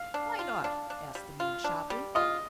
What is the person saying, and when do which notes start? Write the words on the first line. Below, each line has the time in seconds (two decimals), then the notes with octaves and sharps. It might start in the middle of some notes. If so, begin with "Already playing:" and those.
"Why not?" asked the man sharply.
Already playing: F5
0.14 D4
0.39 F4
0.64 D4
0.90 D4
1.15 G3
1.40 F4
1.64 D4
1.90 G3
2.15 F4 D#5